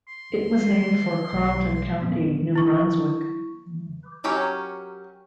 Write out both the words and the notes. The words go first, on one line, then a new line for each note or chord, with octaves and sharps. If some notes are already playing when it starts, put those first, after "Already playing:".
It was named for Carleton County, New Brunswick.
C6
B1
A#2 B3 C#4
E4 C#6
F#3 C#4 G4 A#4 C#5